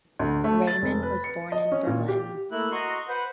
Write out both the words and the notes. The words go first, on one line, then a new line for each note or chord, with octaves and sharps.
Reimann was born in Berlin.
D2
A3
A6
F1
B4
C#7
D#5
C#4
A#2
G4
A3 A#3 E4 F#6
F#4 D#5 A#5 C6 C#6
B4 C5 F#5